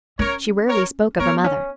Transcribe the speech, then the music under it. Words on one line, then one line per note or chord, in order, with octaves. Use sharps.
She rarely spoke of her mother.
C#4 A#4 C#5
A#4 C#5
B3 A#4 C#5
C#4